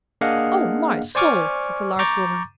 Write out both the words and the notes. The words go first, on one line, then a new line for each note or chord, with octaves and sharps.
"O my soul!" said the large woman.
A#3 D4 G#4 D#5 F5 F#5
C5 D5 G#5 C#6 D6 F6
A#5 C#6 D6 G6 A6